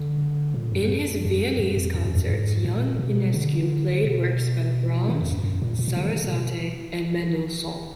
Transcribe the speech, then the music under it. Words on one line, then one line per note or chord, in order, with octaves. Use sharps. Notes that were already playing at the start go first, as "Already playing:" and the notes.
In his Viennese concerts young Enescu played works by Brahms, Sarasate and Mendelssohn.
Already playing: D3
A#2
F#2
F#2
F#2
F#2
F2
F#2
F2
F#2
G#2
A#2
B2
D3
B2
D#3
F2
F#2
F#2
A#2
A#2
B2
D3
D#3
A#2
B2